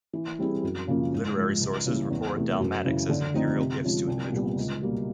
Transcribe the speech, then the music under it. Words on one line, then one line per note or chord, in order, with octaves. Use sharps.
Literary sources record dalmatics as imperial gifts to individuals.
E3
G3 C4 E4 G#4
F#2
C#3 F3 A#3 C#4
G#2
F3 G#3
C#2
C#3 E3 G3 A#3
E2
C3 E3 A3
F#2
C#3 E3
D3
F3 A3 C4 D#4
C3
F3 G#3 C#4 F4
C2
A#2 G3 B3
C#2
B2 G3 A#3